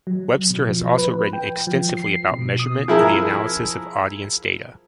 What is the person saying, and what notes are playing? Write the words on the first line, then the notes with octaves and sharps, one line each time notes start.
Webster has also written extensively about measurement and the analysis of audience data.
F#3
B2
F3
B4
G5
F3
C7
B2
D#6
F3 E4 G#4 A#4